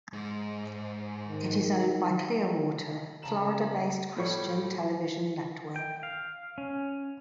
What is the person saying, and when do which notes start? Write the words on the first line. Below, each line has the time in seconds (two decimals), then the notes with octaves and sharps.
It is owned by Clearwater, Florida-based Christian Television Network.
0.13 G#2
1.28 D#3
3.22 C#3 A5 A#5 E7 F#7
4.16 A2 F3 G3 A4 C#5 C#6
5.76 G5
6.03 F5
6.58 C#4